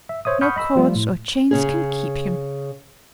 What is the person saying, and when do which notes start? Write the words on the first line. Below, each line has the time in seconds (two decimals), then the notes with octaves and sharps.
No cords or chains can keep him.
0.09 E5
0.25 C5 C#5 E5 D#6
0.41 F#5 B5 C#6 D#6 F6 G6
0.56 D#5 B5 E6
0.76 F3 G3 A3 F4
0.95 A2
1.51 C#3 C#4 G#4